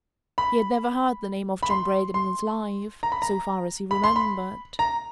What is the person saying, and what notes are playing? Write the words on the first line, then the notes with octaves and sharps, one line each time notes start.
He had never heard the name of John Braden in his life--so far as he remembered.
B5
B5
C6
C6
A#5
B5
A#5
B5
C6
B5
A#5